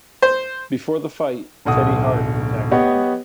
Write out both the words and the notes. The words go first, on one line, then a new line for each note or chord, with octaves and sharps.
Before the fight, Teddy Hart attacked London.
C5
D1 B1 F#5 D#6
B3 G4 C#5 D#5 F#5